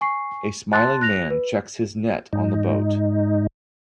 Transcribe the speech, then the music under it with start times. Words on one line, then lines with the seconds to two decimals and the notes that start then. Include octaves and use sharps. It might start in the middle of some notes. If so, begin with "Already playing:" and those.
A smiling man checks his net on the boat.
0.01 G#5 C#6 C7
0.73 A5 C6 F#6 A6
1.01 F#6 A#6 F7
1.30 B4
2.33 G#2 D#4